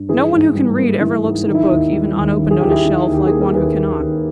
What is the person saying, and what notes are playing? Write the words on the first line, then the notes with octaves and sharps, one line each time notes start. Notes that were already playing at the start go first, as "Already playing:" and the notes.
No one who can read, ever looks at a book, even unopened on a shelf, like one who cannot.
Already playing: G2
E3 G#4 B4
G#2
G3
A#3
E3
G#2
D#3 D#4
E4
D#4
D#2
G3
D#2
D#3
G#4
D#2 G4
E4 G#4
D#3
D#2
G4
A#3 G#4
A#4
D#2 G#4 B4
D#3
D#2